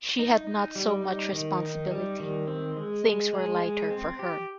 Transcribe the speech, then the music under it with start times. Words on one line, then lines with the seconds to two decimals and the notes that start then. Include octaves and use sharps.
She had not so much responsibility; things were lighter for her.
0.19 D#4
0.47 D#4
0.76 G3
1.04 D#4
1.33 D#3
1.62 D#4
1.91 G3
2.20 D#3
2.47 C4
2.77 G#3
3.05 G#3
3.33 G#3
3.62 G#3
3.90 C4
4.19 G4